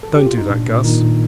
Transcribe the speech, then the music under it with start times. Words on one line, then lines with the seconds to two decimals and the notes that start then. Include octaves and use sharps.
"Don't do that, Guss?"
0.03 A4
0.14 G4
0.26 F4
0.38 D#4
0.50 A#2 D4
0.67 A#2
0.84 A#2 D#3 D#4
1.01 A#2